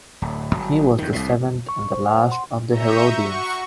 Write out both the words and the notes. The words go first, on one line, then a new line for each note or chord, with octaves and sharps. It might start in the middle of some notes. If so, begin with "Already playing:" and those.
He was the seventh and last of the Herodians.
D1
G1 C2 F#3
E2 D#3
C2 A2
C#6
C5
F#5
C6
E5 A#5 C#6 G6 C#7 D#7
F#4 C#6